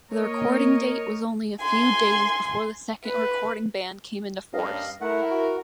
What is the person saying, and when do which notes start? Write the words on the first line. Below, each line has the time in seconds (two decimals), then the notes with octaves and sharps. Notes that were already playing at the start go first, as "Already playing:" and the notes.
The recording date was only a few days before the second recording ban came into force.
0.10 A#3 A#4 C#5 D#5
1.61 G#5 C6
3.05 B4
4.53 G2 A#3 C#4 D#4 D#5 F5
5.01 A3 E4 A#4 F#5
5.31 F#4